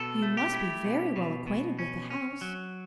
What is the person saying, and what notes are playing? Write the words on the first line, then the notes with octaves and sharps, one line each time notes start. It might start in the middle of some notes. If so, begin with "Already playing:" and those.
"You must be very well acquainted with the house!"
Already playing: B2 A4
A3
G4
E4
B2
B2
B2
C#4
C#4
F#3